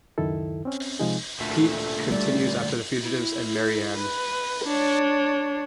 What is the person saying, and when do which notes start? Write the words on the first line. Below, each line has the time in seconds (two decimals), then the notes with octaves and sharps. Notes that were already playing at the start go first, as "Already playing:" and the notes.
Pete continues after the fugitives and Marianne.
0.18 C#2 F#2 D#3 E4 A4
0.65 C4 C#4
0.99 C3 F3 G#3 D#4 G#4
1.40 D2 A#2 A3
2.11 G3 D5
3.01 E4
3.97 B4
4.65 D4 C#5